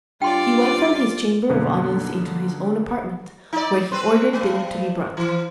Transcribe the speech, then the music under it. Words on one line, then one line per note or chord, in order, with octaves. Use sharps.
He went from his chamber of audience into his own apartment, where he ordered dinner to be brought.
G2 F4 D5 G5 C6
F#2 B2 D3 A#3 B3
D#4 D5
C4 B4 C5
G2 B3
E3